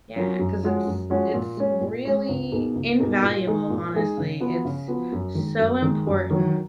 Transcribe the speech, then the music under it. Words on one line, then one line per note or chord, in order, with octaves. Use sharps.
yeah, ‘cause it's it's really invaluable, honestly, it's so important.
F#3 C#4 F4 A#4
F#2
F3 G#3 C#4 F#4
F#2
F3 G#3 C#4 F#4
A#2
G#3 C#4
A#2
G#3 C#4
C#2
B2 A#3 D#4 G#4
C#2
B2 A#3 D#4 G#4
A#2
G#3 D#4 G#4
A#2
G#3 D#4 G#4
C#3
F3 B3 F#4
C#3
F3 B3 F#4
F#2
D#3 G#3
F#2
D#3 G#3
F#2
D#3 F#3